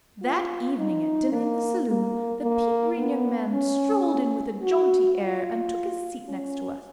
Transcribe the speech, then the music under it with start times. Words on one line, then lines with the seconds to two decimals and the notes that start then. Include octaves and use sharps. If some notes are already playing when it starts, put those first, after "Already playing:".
That evening, at dinner in the saloon, the pea-green young man strolled in with a jaunty air and took his seat next to us.
0.22 F4
0.78 D#4
1.32 A#3
1.88 A#3
2.43 A#3
2.97 B3
3.52 C#4
4.62 F#4
5.18 F4
6.28 C#4